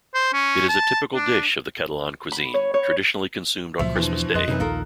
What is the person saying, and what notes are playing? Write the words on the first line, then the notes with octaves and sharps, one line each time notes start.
It is a typical dish of the Catalan cuisine, traditionally consumed on Christmas day.
C5
C#4
A5
D4
B5
C#5
C#5
C#2 A#2 F3 F#3 E5
E2 B2 D3 E3
F2 D#5 C6 F#6
F#2 C3 E3 D#4
A#1 D#2 D#4 F4 A4 A#4